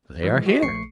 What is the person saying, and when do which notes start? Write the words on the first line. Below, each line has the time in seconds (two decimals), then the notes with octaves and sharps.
"They are here."
0.23 E3 F3 G#3
0.46 F#4 G#4 C5 D#5
0.62 A#1 A3 C#6 C7 C#7